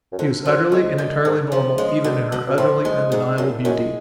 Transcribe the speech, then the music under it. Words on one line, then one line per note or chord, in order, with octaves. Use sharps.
She was utterly and entirely normal even in her utterly undeniable beauty.
F#2
F2 D3
F#2 F3
F2 G#3
F2
F#2 D3
G#2 D3
C#3 F3
C#3 G#3
B2 D3
B2 D3
B2
A2 F3
G#3
G#2 D3
F#2 A2
F#2 G#3